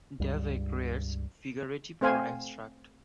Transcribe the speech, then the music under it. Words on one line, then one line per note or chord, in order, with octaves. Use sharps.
Davey creates figurative or abstract.
C#2 G2 G3
A3 C4 C5 F5 G#5